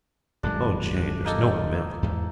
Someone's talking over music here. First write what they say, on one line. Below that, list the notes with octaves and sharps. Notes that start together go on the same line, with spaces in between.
O, jay, there's no milk.
D#1 F#2 G#3 D4
A#3 D#4 A4
E2 G#2